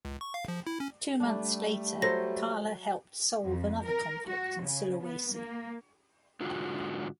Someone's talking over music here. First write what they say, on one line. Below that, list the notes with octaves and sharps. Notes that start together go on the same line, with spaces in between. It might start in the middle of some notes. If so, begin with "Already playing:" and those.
Two months later, Kalla helped solve another conflict in Sulawesi.
C#2
C#6
F5
F3
E4
C#4
G3 A3 D4
F#3 A4 C5 A#6
F2
A#4
F#4
C#3
B3
A#3
G#2 D3 F4 F#4